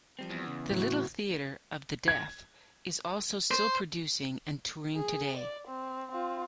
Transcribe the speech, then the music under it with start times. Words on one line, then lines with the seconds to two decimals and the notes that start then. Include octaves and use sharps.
The Little Theatre of the Deaf is also still producing and touring today.
0.19 F3 G3 C4
0.30 E2
0.47 C#3
0.71 A2 F#4
2.08 G#6
3.51 C5
4.95 G#4
5.37 D5
5.67 C4
6.11 C4 F4